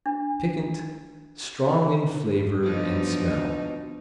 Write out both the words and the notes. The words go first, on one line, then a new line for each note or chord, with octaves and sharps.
Piquant, strong in flavor and smell.
D4
B2 F3 D4 D#4